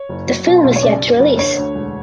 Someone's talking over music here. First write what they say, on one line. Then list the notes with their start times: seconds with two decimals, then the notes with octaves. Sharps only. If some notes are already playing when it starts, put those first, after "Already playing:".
The film is yet to release.
Already playing: C#5
0.09 F#1
0.27 F#3
0.47 B2
0.64 B1
0.76 C#5
0.83 C#3 D5
1.01 F#2
1.20 F#1
1.39 D3 C#5
1.58 D2
1.75 E1